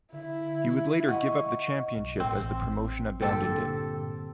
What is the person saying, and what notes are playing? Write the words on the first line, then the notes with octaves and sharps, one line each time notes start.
He would later give up the championship as the promotion abandoned it.
D3 E4 E5
D#5 F#5 C#6
B1
A1 C4
G2 A#2 D3 C4 G4 A4